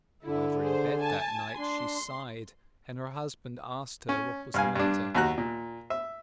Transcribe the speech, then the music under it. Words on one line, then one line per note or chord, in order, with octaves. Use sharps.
However, in bed that night she sighed, and her husband asked her what was the matter.
D3 E4
G#4 C5
G#5 A5
D4 C6
C#4
G2 F5 G#5
G2 D4
D#2 F#4 A#5 F#6
A#2
E5